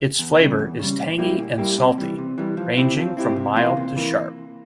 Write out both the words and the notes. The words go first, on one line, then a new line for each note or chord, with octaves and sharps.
Its flavor is tangy and salty, ranging from mild to sharp.
E2
C#3 G3
E2
C#3 G3
A#2
G3 A#3 E4 G4
A#2
G3 A#3 E4 G4
C3
E3 G3
C3
E3 G3
F3
C4 E4 G4
F3
C4 E4 G4
C3
E3 A#3 F4
C3
E3 A#3